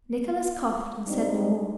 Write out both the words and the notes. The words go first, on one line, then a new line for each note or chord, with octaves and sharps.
Nicholas coughed and said no more.
G#2 G3 C4 D4 D#4